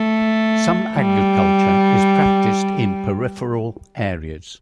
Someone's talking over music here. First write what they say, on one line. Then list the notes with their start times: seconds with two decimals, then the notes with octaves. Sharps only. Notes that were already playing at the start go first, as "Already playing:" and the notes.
Some agriculture is practised in peripheral areas.
Already playing: A3
0.96 G3